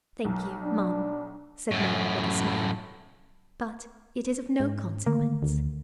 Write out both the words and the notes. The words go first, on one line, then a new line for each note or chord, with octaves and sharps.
"Thank you, ma'am," said Mary, with a smile, "but it is of no consequence."
B1
D4
F#2 A2
G#2
D3 D#3 A3 A#3
D2